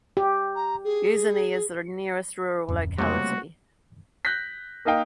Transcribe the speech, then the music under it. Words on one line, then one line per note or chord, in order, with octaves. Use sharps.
Yuzhny is the nearest rural locality.
G4
A#5
G#4
D1 F2 C#4
C#2 C3 G3 A3 A#3 F#4
F#6 G6 A#6 B6
A#3 D#4 A#4 D#5 F5 G5